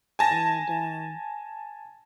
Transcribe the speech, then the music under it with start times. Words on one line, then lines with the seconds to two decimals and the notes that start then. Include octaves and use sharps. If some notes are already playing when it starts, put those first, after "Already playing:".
And, um
0.19 G#5 A5 A#6